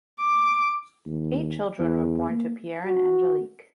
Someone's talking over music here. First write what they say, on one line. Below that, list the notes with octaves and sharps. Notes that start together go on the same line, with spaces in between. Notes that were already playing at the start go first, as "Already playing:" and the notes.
Eight children were born to Pierre and Angelique.
D6
D#2
E2
A#3
F#4